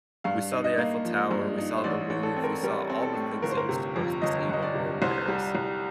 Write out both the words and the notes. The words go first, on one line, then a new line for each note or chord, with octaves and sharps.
We saw the Eiffel Tower, we saw the Louvre, we saw all the things that you're supposed to see when you're in Paris,
G2 F5
D#4
D#5
A#3
F3
G2
D#4
C5
A1 D5
A1
A4
C4
A#4
G3 A#4
C4
A4
A2
G1 A#4
C5
A#4
C3
F2
G1 D#5
G1 D#5
D5
C3
C2 C5
G3
C2